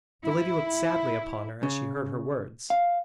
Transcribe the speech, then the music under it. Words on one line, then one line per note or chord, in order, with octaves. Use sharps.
The lady looked sadly upon her as she heard her words.
E4
C#3
F5